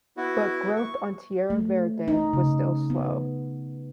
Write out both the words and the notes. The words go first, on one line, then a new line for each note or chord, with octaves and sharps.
But growth on Tierra Verde was still slow.
B3 E4 F#4
C#6
A3
D#4
C#3
B3